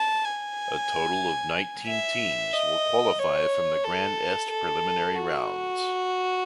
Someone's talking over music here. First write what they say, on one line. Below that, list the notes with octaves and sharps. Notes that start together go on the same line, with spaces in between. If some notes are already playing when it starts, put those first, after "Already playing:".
A total of nineteen teams will qualify from the Grand Est preliminary rounds.
Already playing: A5
G#5
E5
D#5
C#5
A4
A4
F#4